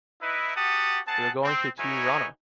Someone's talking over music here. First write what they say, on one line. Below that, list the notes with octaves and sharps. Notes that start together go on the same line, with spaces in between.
We are going to Tiurana.
D#4 E4 B4
F#4 G4 F#5 A5 D#6
C4 G#4 F#5 A5
C4
D#4 E4 F#4 A#4 C#5 G#5